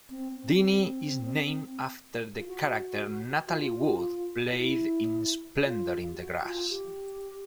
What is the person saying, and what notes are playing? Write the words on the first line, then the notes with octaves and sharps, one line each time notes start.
Deenie is named after the character Natalie Wood played in "Splendor in the Grass".
C4
C4
F4
F#4
F#4
F4
F4
E4
F4
G4
F#4
F4
G4